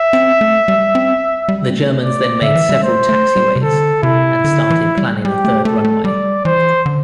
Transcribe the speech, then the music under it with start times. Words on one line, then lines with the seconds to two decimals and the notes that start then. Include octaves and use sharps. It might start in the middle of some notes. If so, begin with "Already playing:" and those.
The Germans then made several taxiways and started planning a third runway.
Already playing: E5
0.13 C4
0.41 A3
0.68 G3
0.95 C4
1.49 G3
1.69 C4
1.74 A3
2.02 D5
2.42 D3 E5
2.55 E3
2.69 G3
2.83 A3 C5
3.09 A3
3.36 G3
3.56 C3
3.63 D3 A4
4.03 C3 E4
4.44 D3
4.70 E3
4.98 G3
5.24 G3 G4
5.45 A3
5.65 A3 A4
5.85 A3
6.05 G3 D5
6.45 E3 C5
6.86 D3